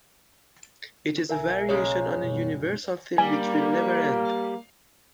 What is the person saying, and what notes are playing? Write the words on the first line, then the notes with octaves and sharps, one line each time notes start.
It is a variation on a universal theme which will never end.
B1 A#4 E5 G#5
C#3 G#3 A#3 C#5
F#2 B2 G3
G3 A#3 G#5